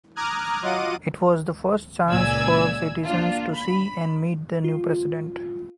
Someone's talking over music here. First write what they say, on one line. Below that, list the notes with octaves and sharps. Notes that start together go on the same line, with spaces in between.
It was the first chance for citizens to see and meet the new president.
A#5 D6 D#6 F6 F#6 G#6
F#3 F4 D#5 F#5 D6 D#7
C#2 A#2 D5 G#5 E6 G#6
A#3 D4 F4
B5
F4